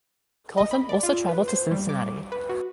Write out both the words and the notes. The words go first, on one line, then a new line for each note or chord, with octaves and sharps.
Colton also traveled to Cincinnati.
D#5
B5
D5
F4
B4
C5
G3
D6
B4
F#4